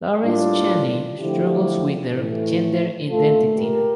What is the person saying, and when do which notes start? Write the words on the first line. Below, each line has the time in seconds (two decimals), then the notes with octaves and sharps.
Lawrence Chaney struggles with their gender identity.
0.24 A2 G3 A#3 D4 F4
1.19 D3 F3 A3 E4 G4
2.14 A2 E3 A3
3.09 A#2 A3 F4 A4
3.57 G4 A#4